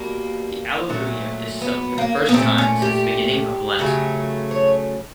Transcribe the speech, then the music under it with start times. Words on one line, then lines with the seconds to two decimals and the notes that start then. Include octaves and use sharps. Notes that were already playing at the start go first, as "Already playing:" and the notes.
The Alleluia is sung for the first time since the beginning of Lent.
Already playing: B2 G3 A#3
0.89 A#2 F#3 A3
1.62 B3
1.98 A#3
2.29 B3
2.34 A#2 F#3 A3 C4
2.58 C#4
2.82 G4
3.79 C#3 F#3 A3
4.51 C#5